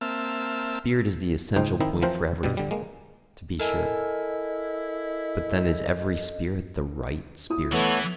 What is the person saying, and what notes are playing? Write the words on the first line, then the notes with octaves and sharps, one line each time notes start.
Spirit is the essential point for everything, to be sure; but then is every spirit the "right" spirit?
A#3 C4 E5 A5 E6 F6
C#2 G#2 D#4 C5 G5
D#3 C4 D#4 E4
E3 F3 C4 A#4 C5
G2 B2 G3
D3 G3
G#3 A#3
E4 A4 A#4 D#5 G#5
E4 D#6
E3 A3 B3 C#5